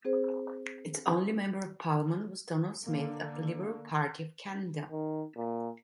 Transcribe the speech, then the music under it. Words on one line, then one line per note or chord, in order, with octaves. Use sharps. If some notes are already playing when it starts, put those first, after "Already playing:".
Its only Member of Parliament was Donald Smith of the Liberal Party of Canada.
C4 G#4 C5
D3 A#3
D#3
A#2